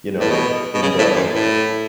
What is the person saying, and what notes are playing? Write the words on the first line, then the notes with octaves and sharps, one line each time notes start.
you know, in the
A2
B2
B2
C#3
A2
F#2
A2